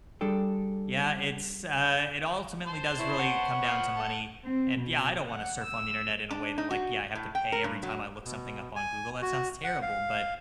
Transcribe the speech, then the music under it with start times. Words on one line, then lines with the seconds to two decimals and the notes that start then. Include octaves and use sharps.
Yeah, it's, uh it ultimately does really come down to money, and, yeah, I don't wanna surf on the Internet in a way that, like, yeah, I have to pay every time I look something up on Google, that sounds terrible, but,
0.21 G3 D4 G#4 A4 G5
2.66 C5 A5 C6
2.99 E4 B4 C#5
3.19 F#5
3.62 F3
3.95 A4
4.44 C4
4.80 B2
5.24 F#5
5.64 E6
6.31 D4
6.58 D#4
6.71 F#4
7.15 A2
7.35 G5
7.52 A#4
7.64 G2
7.83 F#3
8.24 B2
8.76 G#5
9.22 F#4
9.64 F#5
9.82 F5